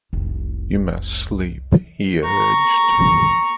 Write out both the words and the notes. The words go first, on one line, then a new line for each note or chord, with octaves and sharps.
You must sleep, he urged.
F1 C2
A#5 C#6